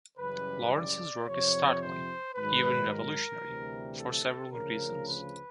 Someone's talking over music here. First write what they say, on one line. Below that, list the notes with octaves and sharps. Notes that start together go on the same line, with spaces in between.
Lawrence's work is startling, even revolutionary, for several reasons.
F#2 C#3 E3 G3 B4
D5
F2 C3 F3 C#5
C5
G#2 D#3 F#3 B4
A#4
D2 C3 E3 G3
A4
D2 C#3 F3 A#4
B4